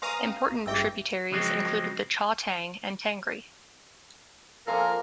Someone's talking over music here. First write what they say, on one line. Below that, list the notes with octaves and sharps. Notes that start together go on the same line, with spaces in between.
Important tributaries include the Chautang and Tangri.
B4 F5 G#5 A#5 C6 D#6
C#4
A1 G2 G#4 E5 G5 E6
C#3 F3 F#3 G#3 C4
F2 A#3 F4 A4 A#4 F5 G#5